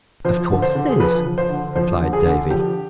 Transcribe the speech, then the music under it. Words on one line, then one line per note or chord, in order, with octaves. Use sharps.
"Of course it is," replied Davy.
F3 C5
D3
C5
D3
G#4
F3 B4
F3
C5
D3
F3 C5
D3
G#4
D3
F3 G4